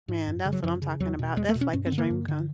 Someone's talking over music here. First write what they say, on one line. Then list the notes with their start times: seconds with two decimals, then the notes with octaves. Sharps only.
Man, that's what I'm talking about, that's like a dream come
0.08 G#2
0.27 F#2
0.45 C#3
0.53 F#3
0.64 F#2 F3
0.82 C#3
1.00 E2 F#3
1.19 B2
1.37 E2 G#3
1.49 A3
1.55 B2
1.61 C#4
1.73 G2 C#4
1.86 C4
1.92 D3
1.98 A#3
2.10 G2
2.28 D3